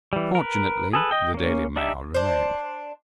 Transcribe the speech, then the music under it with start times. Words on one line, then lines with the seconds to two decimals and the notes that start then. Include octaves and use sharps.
Fortunately "The Daily Mail" remained.
0.13 E3 G3
0.35 A#4 B4
0.93 G#4 A4 B4
1.11 D#5 G5
1.34 A#3 C#4
1.76 D4 D#4 G4 E5
2.14 D4 C5